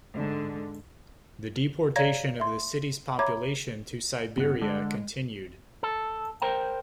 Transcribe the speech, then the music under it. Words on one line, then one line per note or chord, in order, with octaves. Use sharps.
The deportation of the city's population to Siberia continued.
G#2 D3
C#5 D5 F5 A#5 G#6 A#6
E5 C6
C#5 E5 A#5 B5 D6 G#6
G1 B3 F#5
D3 G#3 D4
A4
A#4 C5 G5 A#5